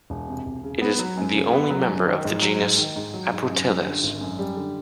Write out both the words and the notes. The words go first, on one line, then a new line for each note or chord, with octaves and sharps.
It is the only member of the genus "Aproteles".
E1
C3
E1
C#3
B3
F#3
F#2
C#3
B3
F#3
F#2
D#3
G#2
F#3
G#2
D#3
G#2
F#3
G#2
F#2
G3
D3
G#1
F#2
G3
D3